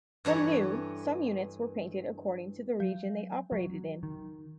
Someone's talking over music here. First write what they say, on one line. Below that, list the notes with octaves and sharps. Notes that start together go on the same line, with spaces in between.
From new, some units were painted according to the region they operated in.
G2 E3 A4 C#5
F#3
F#3
D#3